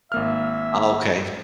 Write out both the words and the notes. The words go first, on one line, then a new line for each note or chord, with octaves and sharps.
Oh, okay.
G#1 A#3 E5 F6